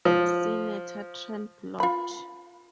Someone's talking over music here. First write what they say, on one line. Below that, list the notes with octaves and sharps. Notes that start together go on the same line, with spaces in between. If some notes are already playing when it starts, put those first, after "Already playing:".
Senator Trent Lott.
F3
F4 B5